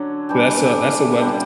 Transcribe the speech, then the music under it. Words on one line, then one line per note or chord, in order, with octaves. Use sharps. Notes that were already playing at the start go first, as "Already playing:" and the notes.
That's a that's a webs
Already playing: D3 F#3 C#4 F#4
E3 G3 D4 G4
D3 G3 C#4 F#4